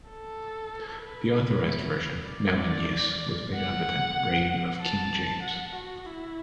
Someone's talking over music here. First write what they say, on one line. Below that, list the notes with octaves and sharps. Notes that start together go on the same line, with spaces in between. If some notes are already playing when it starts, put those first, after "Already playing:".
The authorized version, now in use, was made under the reign of King James.
A4
B4
D5
F#5
A5
F#5
F#4
E4